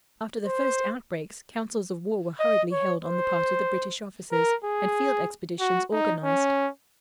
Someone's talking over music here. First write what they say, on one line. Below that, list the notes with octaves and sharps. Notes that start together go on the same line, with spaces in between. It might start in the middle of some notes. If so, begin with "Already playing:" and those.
After the first outbreaks, councils of war were hurriedly held on the part of the British officers, and field expeditions organized.
C5
D#5
C#5
C5
A#4
G#4
F#4
D#4
C#4